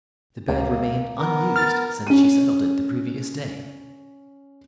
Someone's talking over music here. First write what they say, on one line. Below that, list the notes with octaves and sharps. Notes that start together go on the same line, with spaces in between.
The bed remained unused since she settled it the previous day.
C#2 F#2 A#3
B3 A#4
F6 A6
C#4 D#7